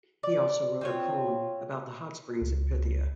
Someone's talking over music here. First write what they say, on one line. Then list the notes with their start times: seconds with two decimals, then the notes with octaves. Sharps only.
He also wrote a poem about the hot springs at Pythia.
0.23 D5
0.81 C4 F4 C#5
2.41 C#2